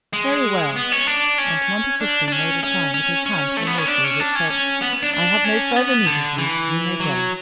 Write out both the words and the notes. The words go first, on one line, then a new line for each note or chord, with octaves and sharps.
"Very well;" and Monte Cristo made a sign with his hand to the notary, which said, "I have no further need of you; you may go."
G#3
B3
C#4
D4
C#4
D4
D4
C#4
C#4
C#4
C#4
A3
B3
C#4
D4
C#4
D4
C#4
C#4
B3
D4
D4
C#4
B3
D3
E3
F#3